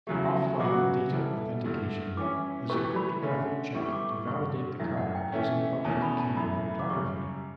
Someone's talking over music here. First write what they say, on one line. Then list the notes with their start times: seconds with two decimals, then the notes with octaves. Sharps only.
Offline data authentication is a cryptographic check to validate the card using public-key cryptography.
0.07 E2 C#3 F#3 A3 G4
0.25 E5
0.42 E5
0.55 C#6
0.60 C#3 F#3 B3 F#4 D6
1.13 E3 G3 B3 E4 A4
1.64 G2 D3 A3 E4 G4
2.17 E3 G3 C#4 E4 D6
2.70 E3 A3 E4 G4 B4 C#6
2.96 B5
3.22 D3 A3 C#4
3.74 A2 G3 B3 E4 G4 C#6
3.85 C#6
3.93 D6
4.10 C#6
4.27 G2 D3 G3 C#6
4.79 F#2 E3 A3 E4 E5
4.97 F#5
5.15 G5
5.32 E3 A3 C#4
5.84 E2 B2 A3 C#4 A5
6.02 B5
6.20 A5
6.37 F#2 E3 A3 B5
6.79 D6
6.89 F#2 C#3 G3 C#6